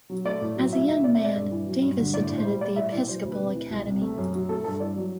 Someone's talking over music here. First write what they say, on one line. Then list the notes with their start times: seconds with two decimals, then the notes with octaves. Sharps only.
As a young man, Davis attended the Episcopal Academy.
0.10 F#3
0.25 A3 D5
0.41 A2
0.57 F#3
0.73 E3 E5
0.88 D2 E5
1.04 C3 D5
1.15 A3 E5
1.25 D5
1.35 G2
1.51 E3
1.67 F#3
1.82 G2
1.98 D3
2.13 A2 D5
2.29 A2
2.37 C5
2.45 G3
2.61 G3 D5
2.76 A2 E5
2.92 E3 D5
3.07 F#3 C5
3.24 D2
3.31 B4
3.39 C3
3.54 E3
3.71 C2
3.86 C3
4.02 A3
4.18 F#2
4.33 F#3
4.49 A3 A4
4.64 G2 A4
4.80 E3 D5
4.96 F#3